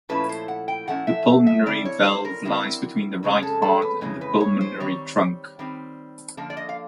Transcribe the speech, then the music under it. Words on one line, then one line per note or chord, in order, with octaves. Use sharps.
The pulmonary valve lies between the right heart and the pulmonary trunk.
A#2 F3 A3 C#4 E4 B4
C5
F#5
G5
A#2 F3 A3 C#4 E4 F#5
E5
E5
D3 G3 C4 E4 D5
C#5
C5
A#4
D3 G3 C4 E4
F2 C#3 G#3 C#4
A4
A4
B4
F2 C#3 E3 G#3 C#4
B4
C#5
C5
D#3 G3 C4 C#5
D#3 G3 C4
D3 F3 A#3 D4
D5
D#5
F5